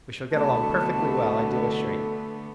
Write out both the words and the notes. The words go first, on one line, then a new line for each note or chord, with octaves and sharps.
We shall get along perfectly well, I do assure you.
C2 B2 D3 A3 B3 F#4 A4 A5